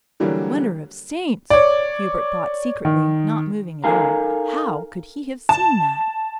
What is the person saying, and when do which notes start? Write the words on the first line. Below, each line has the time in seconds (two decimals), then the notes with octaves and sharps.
"Wonder of saints!" Hubert thought secretly, not moving at all, "how could he have seen that?"
0.20 D3 E3 F#3 G3 A#3
1.50 C#5 D5
2.85 D#3
3.84 D#4 A4 A#4 F5 G#5 A#5
5.49 A5